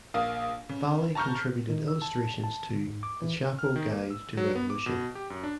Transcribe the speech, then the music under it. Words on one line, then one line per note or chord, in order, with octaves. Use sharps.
Valley contributed illustrations to "The Chapo Guide to Revolution".
A#1 A#3 F5 D#6
C#3
A5 A#5 C#6 F6 G6
D#3
E6
A5
A5
D3
G#2
D6
E3
F6
D#3
A#3
E6
F#3
B3
D6
B2
G4
F#2
D4